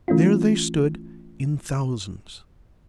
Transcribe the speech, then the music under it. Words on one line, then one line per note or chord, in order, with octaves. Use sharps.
There they stood in thousands.
E3 A3 C#4 E4 F4